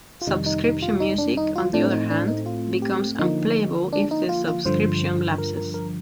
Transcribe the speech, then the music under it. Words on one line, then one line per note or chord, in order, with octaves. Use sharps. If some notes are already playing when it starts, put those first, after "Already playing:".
Subscription music, on the other hand, becomes unplayable if the subscription lapses.
F4
F2 C3 D#3 G3 D#4
D#4
D#4
F4
D#4
D4
D#4
F4
A2 A3 C4 D4
D#4
D4
D#4
F4
G4
D3 F3 A#3 D#4
D4
D#4
F4
F4
G2 D3 F3 C5
A#4
A#4
A#4